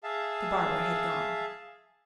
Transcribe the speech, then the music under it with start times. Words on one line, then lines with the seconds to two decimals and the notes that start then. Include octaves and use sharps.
The barber had gone.
0.03 G#4 E5 F5 A5